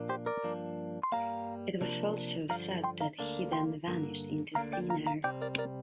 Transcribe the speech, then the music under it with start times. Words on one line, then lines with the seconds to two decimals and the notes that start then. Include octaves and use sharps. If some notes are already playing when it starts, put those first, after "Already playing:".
It was also said that he then vanished into thin air.
Already playing: A#2 F3 A#3 D4
0.09 G4 C5
0.26 A#4 D5
0.43 G2 F3 A#3 D4
1.03 C6
1.12 G2 G3 A#3 F5 A#5
1.81 C3 F3 A#3 D4
2.49 G2 D3 F3 F5 A#5
2.84 G5 C6
3.01 F5 A#5
3.19 D2 D3 A#3 D4
3.52 G5 C6
3.87 G2 D3 A#3
4.55 D2 D3 A#3 D4 F5 A#5
4.73 D5 G5
4.90 F5 A#5
5.07 F5 A#5
5.24 C2 C3 G3 C4 D5 G5
5.42 A#4 D5
5.58 A#4 D5